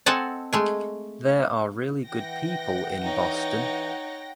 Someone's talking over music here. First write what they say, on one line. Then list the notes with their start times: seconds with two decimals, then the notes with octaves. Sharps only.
There are really good people in Boston.
0.06 C4 A4 D#5 F#5 G#5 A5
0.53 G#3 A3 G#5
2.06 E3 F#5 G5 A#6
3.02 D#4 C#5